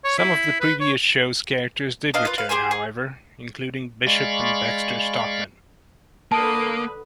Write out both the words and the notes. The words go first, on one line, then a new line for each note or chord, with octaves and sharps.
Some of the previous shows characters did return, however, including Bishop and Baxter Stockman.
C#5
E4
B4
C#5
D4 B4 D#5 F5
F4 B4
B4 F5
G4 G#4 C5 G#5
G#4
G#3 D5 F5 B5 C#6
D3 A#3 B4 A5 D#6